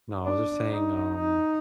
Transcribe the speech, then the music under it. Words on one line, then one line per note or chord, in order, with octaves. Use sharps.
No, I was just saying, um,
D4
D#4
D#4